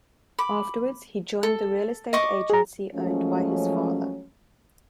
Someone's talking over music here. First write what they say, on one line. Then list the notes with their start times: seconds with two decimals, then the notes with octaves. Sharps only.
Afterwards, he joined the real-estate agency owned by his father.
0.38 B5 D6
1.43 A4
2.13 D#5 C#6 D6
2.50 G#4 A#5
2.95 F3 F#3 G#3 A3 C#4